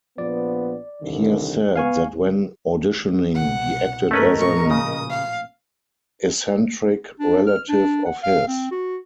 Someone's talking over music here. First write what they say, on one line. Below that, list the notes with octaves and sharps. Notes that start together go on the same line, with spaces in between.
He has said that when auditioning he acted as an eccentric relative of his.
A#1 F3 B3 D5
C2 D3 D#3
B3 F5 G#5 C#6
C2 B2 F#5
G1 D#2 B2 A3 C#4 A#4 B4 D#5
A1 A#2 F3 C#6
C#3 D#6
F5
D4
F6
D4
F#5
F5
C4
F#4